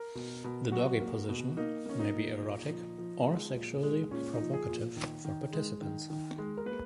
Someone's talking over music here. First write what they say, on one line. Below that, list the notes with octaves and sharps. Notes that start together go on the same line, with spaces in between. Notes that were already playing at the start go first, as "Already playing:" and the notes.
The doggy position may be erotic or sexually provocative for participants.
Already playing: A#4
B2
B2
F#3 F#4
A#3
B2
A#3 D#4
A#3 C#4
D#4
A#2
A#2
F3
F3
G#3
A#2
G#3
A#2 C#4
D#4
F3
G#4
A#2
D#3
D#3
G#3
D#3
D#3
G#3
A#4
A#3 B4